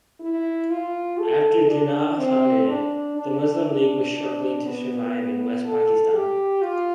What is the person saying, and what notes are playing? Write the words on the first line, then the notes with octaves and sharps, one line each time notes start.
After Jinnah founded it, the Muslim League was struggling to survive in West-Pakistan.
E4
F4
A4
D4
C4
D4
D4
D4
D4
B3
A4
G4
F4